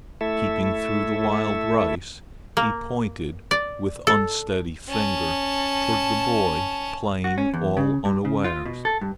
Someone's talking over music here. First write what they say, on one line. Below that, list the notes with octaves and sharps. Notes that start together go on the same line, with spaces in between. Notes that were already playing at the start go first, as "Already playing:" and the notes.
Peeping through the wild rice, he pointed with unsteady finger toward the boy playing all unawares.
A3 E4 A4 E5
A#3
D5
A4
C#4 A5
F#4
C#4
E2
C#3
G2
C#3
F4
B2
A4
G2